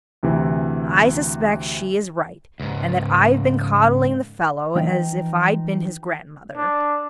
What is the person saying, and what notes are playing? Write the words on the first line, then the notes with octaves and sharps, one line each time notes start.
I suspect she is right, and that I've been coddling the fellow as if I'd been his grandmother.
D2 C3 E3
C#2 G#2
E3 F3 D#4 G5
D4